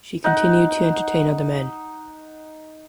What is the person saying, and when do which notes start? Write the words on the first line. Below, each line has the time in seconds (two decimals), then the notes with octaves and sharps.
She continued to entertain other men.
0.24 D#4 F#5